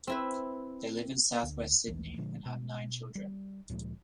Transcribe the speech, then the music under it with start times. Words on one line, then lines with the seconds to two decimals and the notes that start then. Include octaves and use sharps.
They live in south-west Sydney and have nine children.
0.07 C4 E4 B4
1.43 D2
1.87 A#1 D#2 E3
2.18 A#2 D3 F3 G#3
2.46 B2
3.15 G3
3.69 D2 A#2 F3 G#3